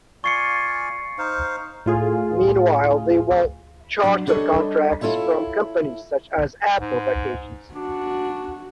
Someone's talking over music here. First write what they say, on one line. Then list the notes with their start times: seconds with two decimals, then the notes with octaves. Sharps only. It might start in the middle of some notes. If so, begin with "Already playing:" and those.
Meanwhile, they won charter contracts from companies such as Apple Vacations.
0.24 F4 D5 G#5 C#6 C7 C#7
1.18 D#4 C5 F5
1.86 A2 F4 G#4
4.03 F#3 D4
4.27 G3 D4 A4 C#5 D#5
5.01 E4 F4 A4 C#5 E5
6.80 G#2
7.75 D4 F#4